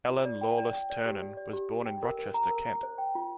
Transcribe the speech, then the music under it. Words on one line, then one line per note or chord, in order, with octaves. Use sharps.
Ellen Lawless Ternan was born in Rochester, Kent.
F4
D5
G5
D5
G5
D5
G4
D5
D5
G4
G4
G5
A#4
A#4
A#5
A#4
A#5
C5
G5
F4